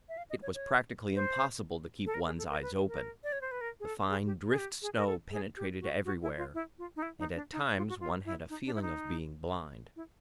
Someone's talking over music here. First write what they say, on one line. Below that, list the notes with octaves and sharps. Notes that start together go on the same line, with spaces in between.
It was practically impossible to keep one's eyes open; the fine drift-snow penetrated everywhere, and at times one had a feeling of being blind.
E5
F5
D#5
C#5
C#5
C5
A4
A#4
G#4
A4
A#4
B4
A#4
D5
C#5
C5
B4
A#4
G#4
A4
G#4
G4
G#4
G4
G#4
A#4
A4
G#4
G4
F#4
F#4
E4
F4
E4
F4
D#4
E4
D#4
D4
D#4
F4
F#4
F4
E4
D#4
D4
E4
D#4
E4